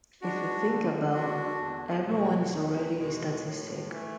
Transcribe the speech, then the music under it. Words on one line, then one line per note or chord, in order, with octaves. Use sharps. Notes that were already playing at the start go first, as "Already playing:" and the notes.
If you think about, everyone is already a statistic.
G#3 D4 F#4
D3
G#3 D4 F#4
E2
B2 G#3
E2
B2 G#3
A2
E3 A3